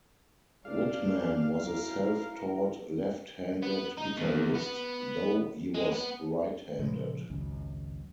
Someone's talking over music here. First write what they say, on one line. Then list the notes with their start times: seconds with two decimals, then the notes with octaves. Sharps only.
Whitman was a self-taught left-handed guitarist, though he was right-handed.
0.65 D4 F5
1.62 F#3 E4 A#4
3.62 B3
3.97 D#4
4.17 E2
4.54 B3
5.75 G#3
5.92 B3
6.79 A#2 C#3 F3 G#3
7.30 G#1 C#2 F#2